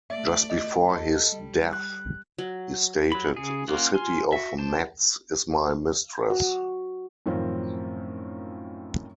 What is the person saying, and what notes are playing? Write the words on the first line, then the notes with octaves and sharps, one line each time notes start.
Just before his death, he stated: The city of Metz is my mistress.
A3 D5 E5
D#5
A4
G3
F#6
F#3
F#3 B5
C#3 G#4
A#3 C#4 F4 A#4 F#5
F4 G#5 C6 F6
F#4 E5
D4 C5 A5
F#4
F#2 A2 D#3 F3 C4 C#4